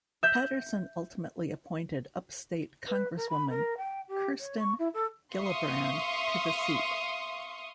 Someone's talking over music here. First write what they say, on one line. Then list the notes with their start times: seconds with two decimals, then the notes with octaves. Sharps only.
Paterson ultimately appointed upstate Congresswoman Kirsten Gillibrand to the seat.
0.23 E5 G6
2.87 B4
3.16 A#4
3.29 B5
3.49 A#4
3.77 G5
4.08 G4
4.40 C#5
4.59 C#6
4.78 E4
4.94 A4
5.36 E5 F5 C6 C#6 D#6